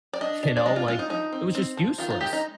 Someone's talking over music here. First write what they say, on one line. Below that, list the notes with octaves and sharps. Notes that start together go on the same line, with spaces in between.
you know, like, it was just useless.
D5
D4 D#5
D4
D5
G#3 D#5
F4
G#3 F4
D#4
F3 D#4
C4
C4
F3
D#3 F4
F4
G#3 G4
D#4